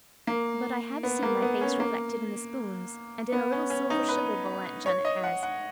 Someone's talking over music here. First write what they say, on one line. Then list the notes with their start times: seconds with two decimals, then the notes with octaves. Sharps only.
But I have seen my face reflected in the spoons, and in a little silver sugar bowl Aunt Janet has.
0.27 A#3
1.03 B3
1.23 A#3
1.42 B3
1.61 C#4
1.80 A#3
3.32 B3
3.52 C#4
3.70 C#4
3.90 D#4
4.09 B4
4.86 C#5
5.05 D#5
5.24 F#5
5.43 F#5